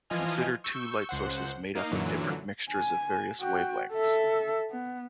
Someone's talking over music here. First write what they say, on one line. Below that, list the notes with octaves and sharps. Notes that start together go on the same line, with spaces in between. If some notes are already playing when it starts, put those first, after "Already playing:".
Consider two light sources made up of different mixtures of various wavelengths.
E3 F3 F4 D#5 G#5 F6
C#6 E6 G6
C#2 C5 F#5
A#3 D#4 F5
F#2 A#2 D3 E3 F#3
G#5
F#4 G5
A4 E5
B3